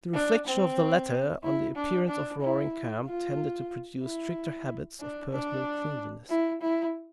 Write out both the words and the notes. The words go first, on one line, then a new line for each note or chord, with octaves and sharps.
The reflections of the latter on the appearance of Roaring Camp tended to produce stricter habits of personal cleanliness.
D4
C4
E4
D4
D4
E4
F4
E4
D4
D4
E4
E4